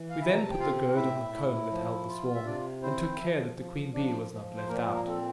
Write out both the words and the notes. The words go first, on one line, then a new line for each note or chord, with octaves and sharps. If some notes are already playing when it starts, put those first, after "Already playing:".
We then put the gourd on the comb that held the swarm, and took care that the queen bee was not left out.
Already playing: E3
F5
C3 E4 E5
A#5
A5
G5
C4 F4 F5
A2 E4 E5
E4
F3
F4
E5
C3 D4 D5
C4 E4 C5
F3
F3
F3 D4 D5
F3
C5
A#2 A#3 A#4
A#3 A#4
C4 A4